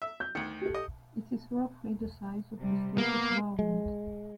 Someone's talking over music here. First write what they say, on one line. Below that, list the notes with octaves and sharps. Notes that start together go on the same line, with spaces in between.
It is roughly the size of the state of Vermont.
E5
G6
D2 D#3 C#7
G4 A4
D#5
C3 G3
A#3 B3
G#3